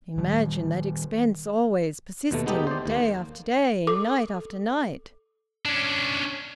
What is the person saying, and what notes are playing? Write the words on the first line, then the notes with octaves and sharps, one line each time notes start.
Imagine that expense always persisting, day after day, night after night!
D#3 G3
D#2 B2 A3
G#3 B3 D#4 G4 A4
C5 D5
D#2 A#3
A4 D6
C#4 D4